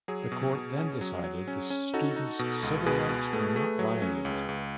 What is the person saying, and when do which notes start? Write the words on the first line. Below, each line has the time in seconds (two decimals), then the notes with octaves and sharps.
The court then decided the students' civil rights were not violated.
0.08 F#3 G#4
0.32 B2
0.55 B2
0.78 C#4
1.01 F#3
1.24 F#3
1.48 C#4
1.70 C#4
1.94 D#4 F#4 A4
2.16 D#4
2.39 B2
2.63 C#2
2.86 B2 G#4 B4
3.09 B2
3.33 A3
3.56 A3
3.79 F#3
4.02 C#4
4.25 C#2
4.49 C#2